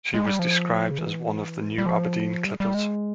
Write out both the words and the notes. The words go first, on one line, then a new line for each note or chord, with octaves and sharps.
She was described as one of the "new Aberdeen clippers".
G#3
G3
F3
C#3
E3
G3
F3
G3
G3
G#3